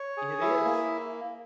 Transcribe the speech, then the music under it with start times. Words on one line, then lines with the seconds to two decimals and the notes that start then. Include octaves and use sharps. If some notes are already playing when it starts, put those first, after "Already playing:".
"It is."
Already playing: C#5
0.17 G#4
0.41 E4
0.64 A#3